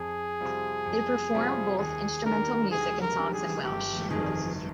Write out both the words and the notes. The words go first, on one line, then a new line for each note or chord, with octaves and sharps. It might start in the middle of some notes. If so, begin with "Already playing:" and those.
They perform both instrumental music and songs in Welsh.
Already playing: F2 G#4
C3 G3 C4 F4
F2
C3 G3 C4 F4
D#2 G#4
D#3 G3 D4 G4 A#4
D#2 G#4
A#4
D#3 G3 D4 G4
G#4
G1 G4
F2 D#3 G#4